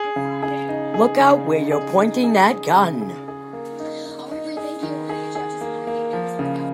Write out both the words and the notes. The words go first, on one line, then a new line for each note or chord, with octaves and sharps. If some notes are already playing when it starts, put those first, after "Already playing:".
Look out where you're pointing that gun!
Already playing: G#4
C#3
G#4
D#4
G#4
C#3
D#4
G#4
D#4
G#4
G#4
C#3
G#4
G#4
A#3
D#4
D#4
D#4
G#4
D#3
G#4
G#4
A#3
A#3
F3
C#3